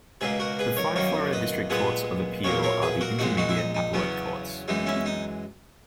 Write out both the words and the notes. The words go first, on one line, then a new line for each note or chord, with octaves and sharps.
The five Florida District Courts of Appeal are the intermediate appellate courts.
C#2 B2 A#3 G#4 B4
F#4 A#4
G#4 B4
A#4 C#5
F#2 D#3 A#3 A#4 C#5
B4 D#5
A#2 G#3 B3 G#4 B4
B1 A#2 A#3 A#4 C#5
A#4 C#5
G#4 B4
F#4 A#4
A#1 A#2 G#3 D#4 F#4
D#4 F#4
E4
D#4
D#4
E2 C#3 F#3 B3 C#4
F#2 E3 G#3 D#4
C#4 E4
D#4